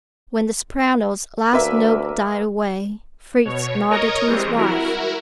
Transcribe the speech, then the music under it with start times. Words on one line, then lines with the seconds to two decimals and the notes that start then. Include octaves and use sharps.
When the soprano's last note died away, Fritz nodded to his wife.
1.53 D2 A#3 B4 E5
3.45 B2 C#5
3.90 A#4 C#5 D#5 A#5 C#6 D#6
4.26 E3 G3 G#3 C4
4.57 E4 F#4 A#4